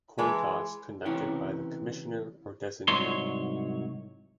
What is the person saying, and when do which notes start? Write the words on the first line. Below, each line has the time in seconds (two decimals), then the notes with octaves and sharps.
Coin toss conducted by the Commissioner or designee.
0.18 E3 G#3 B4
1.05 C#2 C3 E3 C#4 E4 G5
2.88 C2 G#2 F#3 C#5 C6